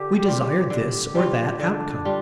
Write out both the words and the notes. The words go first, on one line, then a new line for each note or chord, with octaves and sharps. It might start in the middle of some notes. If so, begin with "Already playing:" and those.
We desire this or that outcome.
Already playing: D3 F4 G4
G3 F4
D3 G4
G3 F4
D3 D4
G3 F4